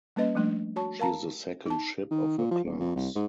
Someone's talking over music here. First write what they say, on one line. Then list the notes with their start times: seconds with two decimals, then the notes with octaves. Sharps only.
She is the second ship of her class.
0.16 G3 A#3 C#4 B4 D#5
0.35 F3 G3 A3 D4
0.76 F#4 C#5 A5 C#6
0.99 A#4 F5 A5 A#5
1.66 D#4 A5
2.11 D#3
2.38 A#2
2.51 F3
2.64 D#1
2.79 F2
2.96 C2
3.15 G#2